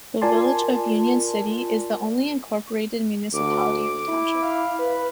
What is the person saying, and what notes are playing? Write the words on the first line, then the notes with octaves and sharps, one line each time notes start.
The village of Union City is the only incorporated municipality in the township.
F4 A#4 D5 G#5 A5 C6
D2 D6
E4
F5
B4